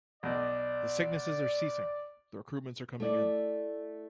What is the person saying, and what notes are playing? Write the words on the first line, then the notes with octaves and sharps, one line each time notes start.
The sicknesses are ceasing; the recruitments are coming in.
B1 B2 D5
A3 E4 D5